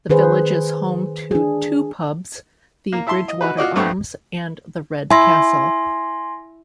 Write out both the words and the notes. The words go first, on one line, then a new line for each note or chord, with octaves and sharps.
The village is home to two pubs, The Bridgewater Arms and the Red Castle.
D#3 G#4 B4 C5
D4 G#4
A#3
E4 E5 A5 C6
D#5
D#4 F#4 B4
F4 F#4 D5 D#5
G2 A3 B3 C4 C#6
E4 G#5 C6 A#6